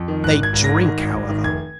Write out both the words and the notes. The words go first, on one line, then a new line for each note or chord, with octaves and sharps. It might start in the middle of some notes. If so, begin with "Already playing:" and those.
They drink, however.
Already playing: F2
D#3
G#1 F#6
G#1 G#6
G#1
G#2 A#6
D#3
G#1
G#1
D#3
F1 G#6